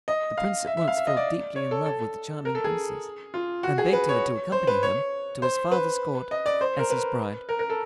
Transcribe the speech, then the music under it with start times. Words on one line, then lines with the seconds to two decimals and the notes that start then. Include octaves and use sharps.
The Prince at once fell deeply in love with the charming Princess, and begged her to accompany him to his father's court as his bride.
0.08 D#5
0.38 F5
0.67 E5
0.77 E5
0.88 F5
0.97 E5
1.07 D#5
1.17 D5
1.56 C#5
1.71 A4
1.86 A4
2.45 A#4
2.55 A4
2.64 G#4
3.34 F4
3.63 F#4
3.78 G#4
3.93 B4
4.09 C#5
4.52 C5
4.67 B4
4.83 C#5
5.42 C5
5.71 B4
6.31 D#5
6.46 D5
6.61 C5
6.79 A#4
6.90 B4
7.49 A#4
7.59 A#4
7.70 A4